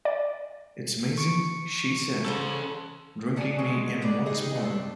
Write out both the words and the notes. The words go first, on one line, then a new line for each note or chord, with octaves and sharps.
'It's amazing' she said, drinking me in once more.
D5
C#6 C#7 D7
C#3 C#4 A4 C5 C6
D5 F#5 G#5 A5
F#3 G#3 A4 C5
A2 D4 B4 D5
G3 D#4 G#4 D#5
A3 C4 D4